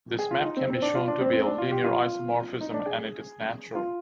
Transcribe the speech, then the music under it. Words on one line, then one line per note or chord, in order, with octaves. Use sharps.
This map can be shown to be a linear isomorphism, and it is natural.
G#4
F4
D#4
C4
C4
D4
F4
D4
C4
C4
D4
F4
G4
F4
D#4
D4
G#4
F4